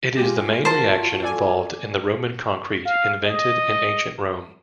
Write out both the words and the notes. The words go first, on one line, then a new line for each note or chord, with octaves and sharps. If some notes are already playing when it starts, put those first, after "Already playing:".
It is the main reaction involved in the Roman concrete invented in Ancient Rome.
G#3 F4 G4
F4 F#4 A#4 C5 A5 C6
A4 D5 G#5
F5
D#5